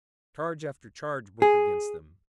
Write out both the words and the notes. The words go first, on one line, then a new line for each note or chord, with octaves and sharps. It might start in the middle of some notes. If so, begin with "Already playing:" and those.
Charge after charge broke against them.
G#4